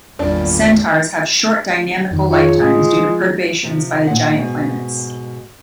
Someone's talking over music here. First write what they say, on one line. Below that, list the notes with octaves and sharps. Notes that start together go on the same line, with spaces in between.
Centaurs have short dynamical lifetimes due to perturbations by the giant planets.
G#1 E2 A#2 G3 D4
F2 D#3
F4 G#4 C#5
A2 C#3 G#3
F3
C3 F3
A#2 F#5
G#2 B2